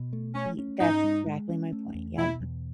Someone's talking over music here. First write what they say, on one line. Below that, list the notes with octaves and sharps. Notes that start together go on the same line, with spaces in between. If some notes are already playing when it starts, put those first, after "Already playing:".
Y that's exactly my point, yep.
Already playing: B2
A3
A3 C#4
C#4
G#2 D#4
G#3
G#3
C#4
A3
E2
B2 E4
E2